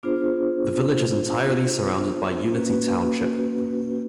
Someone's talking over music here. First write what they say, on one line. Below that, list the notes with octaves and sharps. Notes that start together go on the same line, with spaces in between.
The village is entirely surrounded by Unity Township.
B3 D4 F4 G#4 C5
A#3 C#4 F#4 B4